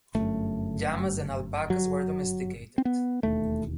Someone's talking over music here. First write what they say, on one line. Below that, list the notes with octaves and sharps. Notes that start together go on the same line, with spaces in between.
Llamas and alpacas were domesticated.
G1 F#2 A3
F#3
C4
B3
E1 D#2 A3